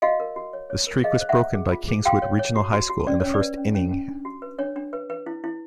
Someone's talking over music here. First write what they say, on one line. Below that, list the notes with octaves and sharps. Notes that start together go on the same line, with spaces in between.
The streak was broken by Kingswood Regional High School in the first inning.
F#4 D#5 F5
A#4
F#4
C#5
C#5
A#4
G#4 D#5 F5
C5
E5 F#5
C5
G#4
F4
G#4
F#4 F5 G5
C#5
C#5
F#4
F#4
F#4
C#4 D5
C#4 C#5
D5
B4
C#4
C#4
C#4
D4
F#4
B4
D4 C#5
D4
B4
B4
E4
E4